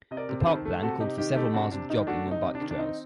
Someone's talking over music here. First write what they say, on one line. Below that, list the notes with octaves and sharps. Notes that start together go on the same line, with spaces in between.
The park plan called for several miles of jogging and bike trails.
C3 D#5
A#4 D5
C3
A4 C5
D#3
A3
C3 F#4 A4
C3 D#4 G4
D#3 D#4 G4
A3 D#4 G4
C3 D4 F#4
C3 D4
D#3 D#4
A3 D4 F#4
C3
D#4
C3
D4
D#3
D4
C4 D#4